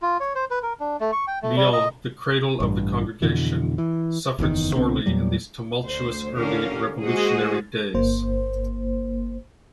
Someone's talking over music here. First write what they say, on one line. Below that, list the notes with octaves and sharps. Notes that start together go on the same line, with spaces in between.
Lyon, the cradle of the congregation, suffered sorely in these tumultuous early revolutionary days.
F4
C#5
C5
B4
A#4
D4
A3
C#6
G5
A3
G3
D#5
A1 G2
F2 B2 D3 E3
E3
F#1 E2 B2 D#3
C2 B2 D3 C4
E2 A#2 F#3 G3
D2 C5
D#2 D3 C#4 G4 A#4 F5
G#3 A#3 F#4 G#4 C5 D#5
G1 A#3 C5